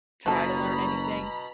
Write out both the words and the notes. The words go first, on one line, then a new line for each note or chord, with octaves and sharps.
try to learn anything
F#1 B2 F3 A4 A#5 B5